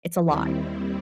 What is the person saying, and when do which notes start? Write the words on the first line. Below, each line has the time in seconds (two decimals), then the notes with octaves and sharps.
it's a lot.
0.25 D#2 D#3 G3 C4 E4